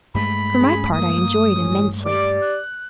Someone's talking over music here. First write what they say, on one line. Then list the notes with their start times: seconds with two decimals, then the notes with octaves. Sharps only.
For my part, I enjoy it immensely.
0.14 G2 G#3 A3 B5
0.59 C#4 G#4
0.93 A#3 D#6
1.48 A1 C#4
2.05 G4 D5 D6
2.42 F#6